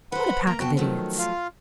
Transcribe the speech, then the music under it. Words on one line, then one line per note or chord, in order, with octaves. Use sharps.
What a pack of idiots!
B4 C5 F#5 B5
A#3 A#5
B3 F#4 G5 A5
D#3 F3 F#3 A3
F4 F5